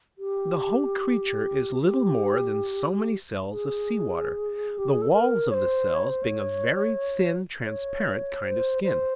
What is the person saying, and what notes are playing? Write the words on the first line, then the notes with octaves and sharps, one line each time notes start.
The whole creature is little more than so many cells of sea-water, the walls of the cells being a very thin, transparent kind of skin.
G4
G4
G#4
G4
G#4
A4
A#4
C#5
C5
C#5
C5
C#5
C#5
C5
C5